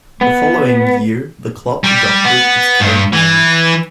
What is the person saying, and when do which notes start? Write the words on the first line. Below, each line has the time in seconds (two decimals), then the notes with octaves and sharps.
The following year the club adopted its current name.
0.21 B3
1.84 G3
2.24 B3
2.80 G2
3.13 E3